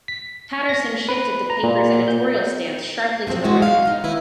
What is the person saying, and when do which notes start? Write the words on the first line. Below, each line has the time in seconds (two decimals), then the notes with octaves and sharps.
Patterson shifted the papers' editorial stance sharply to the right.
0.08 B6
0.69 A#6
1.09 B4
1.50 A#5
1.63 A#2
2.08 G6
3.27 D3 F3 F#3 C4
3.44 F#3 G#3 E4 F#4
3.62 F5
3.85 A2 D#4
4.04 D#3 E4 B4